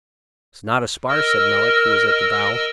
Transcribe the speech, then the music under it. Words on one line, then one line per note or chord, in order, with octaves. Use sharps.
"It's not a spar," said Melick, who was at the bow.
A#4 D#5 E6 F6